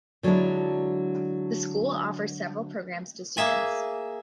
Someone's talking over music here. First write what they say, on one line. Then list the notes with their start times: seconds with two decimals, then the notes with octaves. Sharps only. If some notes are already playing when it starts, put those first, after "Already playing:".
The school offers several programs to students.
0.23 D3 F#3 G#3 C4 D4 E4
3.37 A#3 G#4 E5 G#5